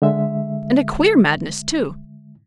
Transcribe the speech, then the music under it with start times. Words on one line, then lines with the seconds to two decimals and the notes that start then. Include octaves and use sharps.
And a queer madness, too.
0.02 D3 G#3 E5